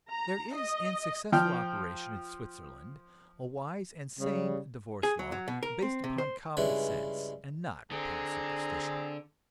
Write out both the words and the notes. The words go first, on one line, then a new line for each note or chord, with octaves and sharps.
There is in successful operation in Switzerland a wise and sane divorce law, based upon common sense and not upon superstition.
A#5
D#5
F3 G5 F6
C#3 G3
G#4
F#3
F#3
B2
A#4
C4
C3
C5
G2 C#3 G#3 E4 B4
D3 C4 G#4 A#5